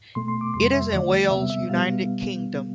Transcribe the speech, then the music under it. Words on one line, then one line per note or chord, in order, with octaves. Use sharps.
It is in Wales, United Kingdom.
B2 A3 C6
C6
D6
F2 C3 G3 C6
E5
E2 D3 F3 A3 D5
C3 G3 B3 E5
E5
B2 G3 B3 F5